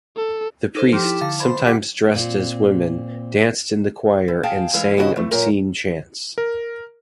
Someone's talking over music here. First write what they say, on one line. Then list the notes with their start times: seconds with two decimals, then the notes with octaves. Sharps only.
The priests, sometimes dressed as women, danced in the choir and sang obscene chants.
0.17 A4
0.75 D#4 A4 C5
0.93 F3 G4
1.05 E4
1.21 D3 F5 A6
1.40 C5 B5
1.65 G4 F#5 B6
2.14 A#2 C4
4.28 E3
4.43 G#4 F5 G5 A5
4.73 E3 G#3 E4 F5
4.97 D#2 C#3 E4 F#4 A4 D#5
5.16 E3 A3
5.31 F#2 A#2 A#4 A#5
6.38 A#4